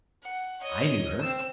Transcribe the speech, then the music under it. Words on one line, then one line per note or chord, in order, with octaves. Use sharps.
I knew her.
F#5
C#5 D#5
C4 E6